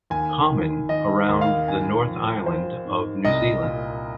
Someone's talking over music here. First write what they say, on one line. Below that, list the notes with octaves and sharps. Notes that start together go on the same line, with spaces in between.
Common around the North Island of New Zealand.
D#2 G#5
D#3
D#3 D#5
D#2
F5
G#2 G#5
F3
F3 C5
G#2
C2 D#5
A#2